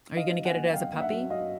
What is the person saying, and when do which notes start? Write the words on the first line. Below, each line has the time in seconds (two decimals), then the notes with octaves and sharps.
are you gonna get it as a puppy?
0.16 D#4 D#5 F5
0.35 F#3
0.45 F#5 G#5
0.55 A#3
0.73 F#3 F5 G5
0.93 A#3
1.01 E5 F#5
1.12 F#3
1.30 F#3 D#5 F5